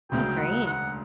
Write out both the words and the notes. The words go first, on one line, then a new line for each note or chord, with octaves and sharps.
Oh, great.
E1 D2 C#3 F#3 G5
F#5
F#5